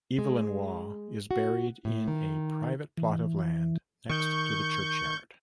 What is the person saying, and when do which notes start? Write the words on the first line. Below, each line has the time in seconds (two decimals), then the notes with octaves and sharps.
Evelyn Waugh is buried in a private plot of land next to the churchyard.
0.19 G#3
1.31 F#4
1.85 A2
2.08 D#3
2.97 E3
4.09 D#3 C#6 G6